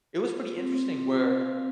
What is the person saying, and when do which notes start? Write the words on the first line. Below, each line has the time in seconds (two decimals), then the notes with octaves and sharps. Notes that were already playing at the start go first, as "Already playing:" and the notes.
it was pretty interesting where
0.16 F4
0.58 C4
0.99 C4
1.41 F5